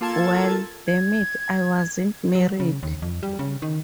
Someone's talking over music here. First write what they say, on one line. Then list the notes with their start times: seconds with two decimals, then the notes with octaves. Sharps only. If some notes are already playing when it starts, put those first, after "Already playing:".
Well, damn it, I wasn't married.
0.01 A#3 F4 A4 A5 G#6 A6
0.86 G#6
2.35 F#3
2.60 C#3
2.83 D#2
3.02 F2
3.23 G3
3.39 C#3
3.62 D#3